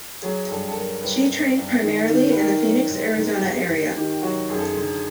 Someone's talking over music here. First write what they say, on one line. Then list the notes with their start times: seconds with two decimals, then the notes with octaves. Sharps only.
She trained primarily in the Phoenix, Arizona area.
0.22 F#3 G#4
0.49 G2 A4
0.68 A4
0.75 F#3 A#4
1.02 G2 B4
1.29 G2
1.56 G2
1.82 D#3
2.09 D#3
2.32 B4
2.36 D#3 A#4
2.63 F#3
2.89 G#2
3.16 G#2
3.42 G#2 G4
3.69 G#2
3.96 D#3 G4
4.22 F#3 F#4
4.49 F#2 G#4
4.59 A4
4.67 G#4
4.76 D3